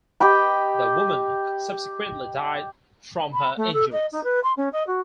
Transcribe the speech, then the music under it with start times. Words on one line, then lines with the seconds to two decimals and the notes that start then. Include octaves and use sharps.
The woman subsequently died from her injuries.
0.20 G4 D#5 G5 B5
3.33 B5
3.56 A3
3.73 A4
3.92 D#5
4.12 D#4
4.23 B4
4.43 C6
4.57 C#4
4.72 D#5
4.86 F#4